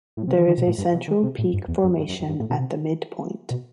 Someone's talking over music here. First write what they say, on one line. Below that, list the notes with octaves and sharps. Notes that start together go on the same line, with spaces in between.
There is a central peak formation at the midpoint.
A2
C3
E3
D#3
B2
A2
G2
B2
D#3
C3
A2
G2
E2
F#2
G2
F#2
F#2
G2
A2
B2
C3
B2